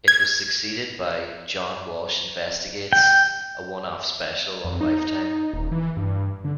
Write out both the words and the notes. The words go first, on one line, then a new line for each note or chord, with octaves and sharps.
It was succeeded by "John Walsh Investigates", a one-off special on Lifetime.
G#6
G5
F2
D#4
D#1
E3
G2
D3